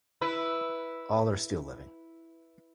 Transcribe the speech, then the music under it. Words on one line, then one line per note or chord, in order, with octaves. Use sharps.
All are still living.
E4 B4